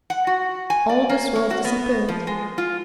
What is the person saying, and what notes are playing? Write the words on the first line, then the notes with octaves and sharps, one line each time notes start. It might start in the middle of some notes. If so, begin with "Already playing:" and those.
All this wealth disappeared.
F#5
F#4
G#5
D5
A#3
C#5
F#4
B3
F3
G#3
F4